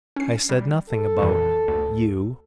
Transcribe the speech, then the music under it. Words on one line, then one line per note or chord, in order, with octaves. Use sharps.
"I said nothing about--you."
C#4 C7
G3
A4
F2 A#2 E3
D2